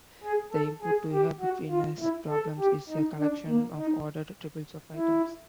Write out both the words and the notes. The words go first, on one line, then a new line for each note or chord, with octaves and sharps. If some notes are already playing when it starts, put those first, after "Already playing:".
The input to a betweenness problem is a collection of ordered triples of items.
G#4
A4
G#4
G4
F#4
F4
E4
A4
G4
D#4
D4
A#3
D#4
E4